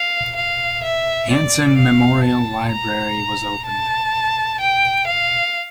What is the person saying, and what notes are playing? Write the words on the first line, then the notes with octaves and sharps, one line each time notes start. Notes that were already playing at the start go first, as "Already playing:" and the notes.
Hansen Memorial Library was opened.
Already playing: F5
F5
E5
D5
F5
A5
A#5
A5
G5
F5